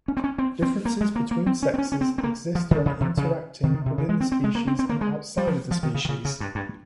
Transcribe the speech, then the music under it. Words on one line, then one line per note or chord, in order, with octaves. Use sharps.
Differences between sexes exist when interacting within the species and outside of the species.
C#4
C4
C#4
C4
C4
A#3
G#3
A#3
A#3
C4
C#4
C4
C#4
C#4
C4
C4
A#3
F3
D#3
C#3
C3
C#3
D#3
D#3
C3
C#3
G#3
C4
C4
G#3
A#3
C4
C4
A#3
G#3
G3
F3
F3
D#3
C#3
D#3
C#3
C#3
G2
G2